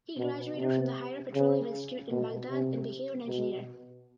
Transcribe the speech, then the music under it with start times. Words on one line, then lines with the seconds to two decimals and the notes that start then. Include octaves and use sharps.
He graduated from the Higher Petroleum Institute in Baghdad and became an engineer.
0.18 B2
0.56 C3
1.34 C#3
2.10 B2
2.49 C3
3.27 B2